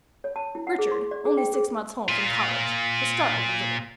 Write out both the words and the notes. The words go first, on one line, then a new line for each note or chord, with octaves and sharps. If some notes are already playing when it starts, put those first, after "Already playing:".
Richard, only six months home from college, was startled a little.
C#5
A5
E4
F#5
G#4
C6
D5
G#4
G5
G#4
A#2 F4